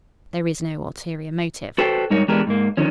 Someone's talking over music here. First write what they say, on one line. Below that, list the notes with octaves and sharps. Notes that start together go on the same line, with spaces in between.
There is no ulterior motive.
F#4 A4 B4 C5 G5
G#2 G3 D#4 A#4 C#5
E3 G#3 B3 D4 G4 A#4
G#2 A#3
D3 D#3 F3 C#4